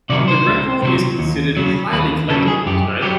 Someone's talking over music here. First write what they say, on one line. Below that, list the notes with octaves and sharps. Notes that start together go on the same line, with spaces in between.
The record is considered highly collectible today.
C3 D#3 F#3 D5
C5
C#2
C3 D#3 F#3
D#2
C#3 F#3
D#2 B4
C#3 F#3 A4
G#4
F#2 G4
F#3 G4